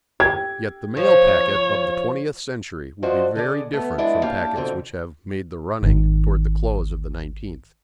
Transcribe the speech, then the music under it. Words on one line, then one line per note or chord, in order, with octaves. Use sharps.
Yet the mail-packet of the twentieth century will be very different from packets which have "made the running" towards the close of the nineteenth.
G4 G#6
F3 C#5
F3 F#4 C5 D5 D#5
D3 G#4 D5
A3 B3
G#3 B3 D4 E4
A#3 C#4 D4 G4 F5 A5
F2 B2 D3 C4
G#1 D#3